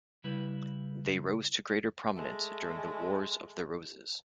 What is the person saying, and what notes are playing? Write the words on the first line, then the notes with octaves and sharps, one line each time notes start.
They rose to greater prominence during the Wars of the Roses.
C#3 G3 E4 B4
G#3 A3